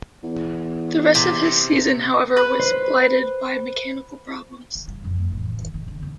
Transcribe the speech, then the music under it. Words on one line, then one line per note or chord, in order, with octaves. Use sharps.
The rest of his season, however, was blighted by mechanical problems.
E2
C3
B4
C5
E4
G2
F2
A3
A1
D#3
D#3
C3
D3
E1